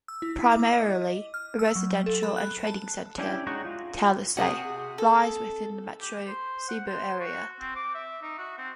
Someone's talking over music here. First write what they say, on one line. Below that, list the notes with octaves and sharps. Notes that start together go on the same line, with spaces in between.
Primarily a residential and trading center, Talisay lies within the Metro Cebu area.
E6
E4
E4
D6
D#5
F6
E6
F#3
A4
B5
F#6
A5
C#4 D4 E4 G4 D5
G#3 D#4 F#4 C#6
F4
C3 F#4 G#4 F#5
A4
G4
C5
F#5
C5
F#4
C4
D6
E5
D#4
F#4
C4